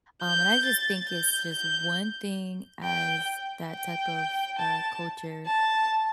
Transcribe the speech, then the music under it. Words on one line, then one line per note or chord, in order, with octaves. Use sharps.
um, and I just think it's just one thing as that type of, uh, culture
G6
A6
G6
G6
G5
G5
A5
A5